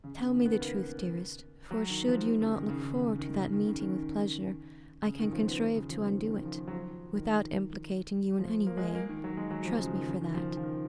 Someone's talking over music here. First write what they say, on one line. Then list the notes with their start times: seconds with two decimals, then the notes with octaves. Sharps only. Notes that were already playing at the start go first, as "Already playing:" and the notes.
Tell me the truth, dearest, for, should you not look forward to that meeting with pleasure, I can contrive to undo it without implicating you in any way; trust me for that.
0.04 C#3
0.17 C#3
0.32 D#3
0.45 B3
0.60 A#3
1.71 F#3
1.90 D#3
2.08 F3
2.27 D#3
2.40 C#3
2.54 D#3
2.69 C#3
2.82 D#3
3.00 C#3
3.19 D#3
3.39 C#3
3.52 D#3
3.67 C#3
3.81 D#3
5.05 C#3
5.19 D#3
5.33 F3
5.48 B3
5.61 D#3
5.75 C#3
5.90 F3
6.03 D#3
6.16 D#3
6.30 D#3
6.45 F3
6.58 D#3
6.68 F#3
6.72 F3
7.15 D#3
8.39 F3
8.67 A#3
8.77 G#3
8.95 A#3
9.09 D#3
9.24 F#3
9.37 G#3
9.51 F#3
9.65 F3
9.79 C#3
9.93 D#3
10.07 C#3
10.21 D#3
10.34 F3
10.57 F3
10.63 D#3